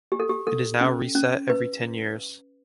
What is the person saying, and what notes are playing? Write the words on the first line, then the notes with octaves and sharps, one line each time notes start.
It is now reset every ten years.
G4
A4
G4
A4
C#4
C#4
B4